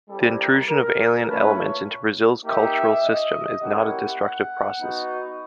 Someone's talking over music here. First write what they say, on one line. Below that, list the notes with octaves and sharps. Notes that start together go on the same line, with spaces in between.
The intrusion of alien elements into Brazil's cultural system is not a destructive process.
G3 C4 E4 G4 A4
A#4
A#4
A3 C#4 F4 B4
C#5
A#3 D#4 G4 E5
D#5
A#3 C#4 E4 G4 F#5
B3 D#4 F#4